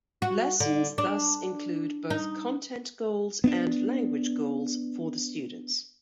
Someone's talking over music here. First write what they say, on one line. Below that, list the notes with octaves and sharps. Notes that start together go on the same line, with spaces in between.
Lessons thus include both content goals and language goals for the students.
F#4
D3
D4
D#4
B3 C4 D4